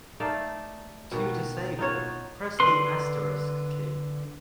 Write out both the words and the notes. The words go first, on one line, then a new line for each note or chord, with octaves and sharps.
To disable, press the asterisk key.
A3 D#4 D5 F5
B2 D#3 F#4
D#4 F4 F#4 C#5
D3 B4 C6